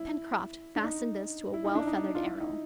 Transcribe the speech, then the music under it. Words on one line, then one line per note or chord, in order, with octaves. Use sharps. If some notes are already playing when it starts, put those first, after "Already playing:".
Pencroft fastened this to a well-feathered arrow.
Already playing: E4
D4
D#4
E4
D#4
D4
D#4
F4
E4
D#4